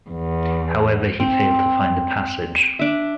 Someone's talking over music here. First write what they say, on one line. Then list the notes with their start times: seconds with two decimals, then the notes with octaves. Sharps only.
However, he failed to find a passage.
0.11 E2
1.20 C4
2.79 D4 E5